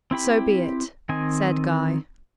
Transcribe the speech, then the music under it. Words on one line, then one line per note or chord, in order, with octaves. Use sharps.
"So be it," said Guy.
C4 E4 G4 B5
D#3 C4 D#5 G#5